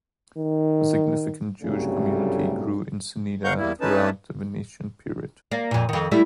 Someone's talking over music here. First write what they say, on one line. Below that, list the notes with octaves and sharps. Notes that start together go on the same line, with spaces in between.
A significant Jewish community grew in Ceneda throughout the Venetian period.
D#3
C2 G2 C#3 F#3 G3 A3
F5 F#5 A#5 C#6 G6
E2 G3 A#3 E4
A3 C#4 D#4 B4 A5
A#3 D5
F2 A#2
F2 D#3
G3 A3 E4